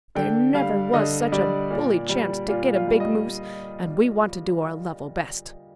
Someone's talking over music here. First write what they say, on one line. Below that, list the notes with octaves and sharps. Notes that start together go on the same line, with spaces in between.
There never was such a bully chance to get a big moose, and we want to do our level best.
D3 G5
G3 F5
D3 D#5
G3 D5
A#2
G3
A#2 F4
F4
G3
D#5